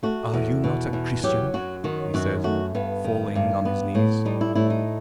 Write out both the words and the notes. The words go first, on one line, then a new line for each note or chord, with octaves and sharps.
"Are you not a Christian?" he said, falling on his knees.
A3 F#4
E2
B2
E2
F#3 G4
F#2 F#4
D#3 F#4
F#2 F#4
A3 F#4
G2 B3
D#3
G2
B3
A2
G3 D#4
E4
A2 E4
D#4